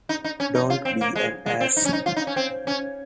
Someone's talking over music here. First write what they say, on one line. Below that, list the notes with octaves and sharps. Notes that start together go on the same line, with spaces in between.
Don't be an ass.
D#4
D#4
C#4
D#4
F4
C4
A#3
G#3
G#3
C4
D#4
C#4
D#4
F4
D#4
C#4
C4
C#4